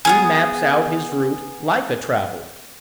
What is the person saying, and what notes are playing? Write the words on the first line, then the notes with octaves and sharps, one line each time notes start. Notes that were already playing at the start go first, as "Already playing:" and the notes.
He maps out his route like a traveller.
B3 C#4 G#4